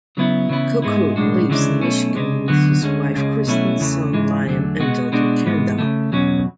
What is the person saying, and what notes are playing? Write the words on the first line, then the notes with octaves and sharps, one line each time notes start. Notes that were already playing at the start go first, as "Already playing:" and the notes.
Kocur lives in Michigan with his wife Kristen, son Liam, and daughter Kendall.
C#3 F#3 B3 E4
C#3 E3 B3 E4
G#2 G#3 B3 E4
B1 A2 G#3 D4 F#4
D2 C#3 E3 G#3 D4
B1 B2 A3 C#4
C#3 G#3 D4
D2 D3 F#3 B3 F#4
D2 D3 G#3 C#4
C#2 C#3 G#3
B2 F#3 A3 C#4 E4
E2 C#3 E3 A3
G#2 E3 G#3
E2 D3 F#3 A3
B2 G#3 B3 F#4
B2 G#3 D4 F#4
G#2 E3 G#3 B3
C#3 E3 A3
E2 B2 F#3 C#4